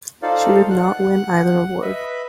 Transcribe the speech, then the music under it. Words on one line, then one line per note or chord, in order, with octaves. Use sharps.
She did not win either award.
D#4 F4 A4 C5 D5 F5
F#5 F#6
B4 D#5 E5 B5